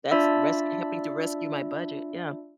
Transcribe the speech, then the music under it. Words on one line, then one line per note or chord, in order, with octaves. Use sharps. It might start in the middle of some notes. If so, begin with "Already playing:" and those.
That's res helping to rescue my budget, yeah.
D4 F4 D5 E5 B5 E6